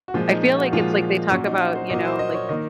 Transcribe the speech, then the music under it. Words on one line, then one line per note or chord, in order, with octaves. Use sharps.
I feel like it's like, they talk about, you know, like,
F#4
A#2 F3 G#3 F4
D#4
F4
F#4
A#2 F3 G#3 F4
A#2 F#3 A#3 C#4
D#4
F#4
C5
A#2 F#3 A#3 D#5
C5
D#5
C#5
D#3 A#3 D#5